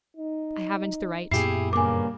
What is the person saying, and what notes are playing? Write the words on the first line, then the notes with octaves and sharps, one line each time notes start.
I haven't the right.
D#4
F#2 A#2 B3 E4 G4 G#4 C7
G2 C#3 A#3 G#5 D6